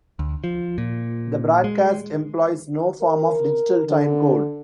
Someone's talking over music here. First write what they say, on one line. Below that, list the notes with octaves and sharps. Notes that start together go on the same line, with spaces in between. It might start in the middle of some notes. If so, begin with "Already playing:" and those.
The broadcast employs no form of digital time code.
D2
F3
A#2
G#3
A#4
D3